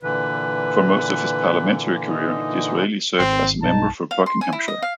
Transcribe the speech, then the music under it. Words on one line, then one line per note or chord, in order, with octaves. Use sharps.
For most of his parliamentary career, Disraeli served as a member for Buckinghamshire.
A#2 D3 E3 B4
D#4
G#1 C4 C7
B1 G2 D#4 A5
F5
C6
G#5
E4
D#5
F5